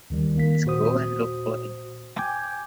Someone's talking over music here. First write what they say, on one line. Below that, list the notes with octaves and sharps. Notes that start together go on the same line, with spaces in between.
Let's go and look for him!
D#2 D#3 G3
D#3 A#3 B6
A#2 F#4 C5 D#6
G5 G#5 D6 G6 G#6